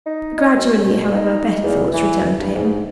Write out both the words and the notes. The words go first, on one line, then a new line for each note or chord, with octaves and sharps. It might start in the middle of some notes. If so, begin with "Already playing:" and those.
Gradually, however, better thoughts returned to him.
D#4
D#4
F#2
B2
D#4
E2
E3
G2
G#2